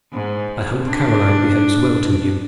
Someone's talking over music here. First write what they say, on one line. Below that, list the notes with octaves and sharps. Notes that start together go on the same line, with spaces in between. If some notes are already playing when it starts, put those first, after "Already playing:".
I hope Caroline behaves well to you.
G#2
D4